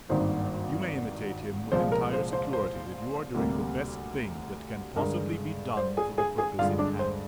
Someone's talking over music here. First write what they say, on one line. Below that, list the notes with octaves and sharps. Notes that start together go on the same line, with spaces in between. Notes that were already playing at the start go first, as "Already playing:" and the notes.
You may imitate him with entire security that you are doing the best thing that can possibly be done for the purpose in hand.
G#1 G2 D#3 A#3 C5
C2 A#2 F3 G#3 C5
A#4
C5
C5
C5
D2 C3 G3 A#3
G2 D3 G#3 A#4
C5
G#4 G#5
G#4 G#5
G#4 G#5
G2 D3 G#3 F4 F5
D4 D5
C5